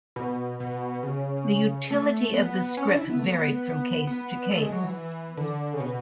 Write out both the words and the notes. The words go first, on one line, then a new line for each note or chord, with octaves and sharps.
The utility of the scrip varied from case to case.
B2
B2
C#3
A3
B3
C#4
D4
E4
B3
A3
B3
B3
A3
G#3
F#3
E3
D3
C#3
B2